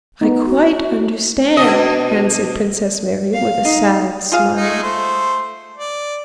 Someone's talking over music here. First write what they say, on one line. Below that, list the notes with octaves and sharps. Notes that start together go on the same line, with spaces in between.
"I quite understand," answered Princess Mary, with a sad smile.
B3 D#4
F#4
B2 D4 D#5
F5
D#4
F4 G#4 F5
G#3 A3 D#4
A3 C5
D5